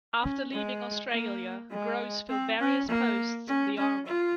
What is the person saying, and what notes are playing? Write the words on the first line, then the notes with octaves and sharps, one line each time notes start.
After leaving Australia Grose filled various posts in the army.
C#4
G#3
A#3
G#3
C4
C#4
A#3
C#4
C#4
F4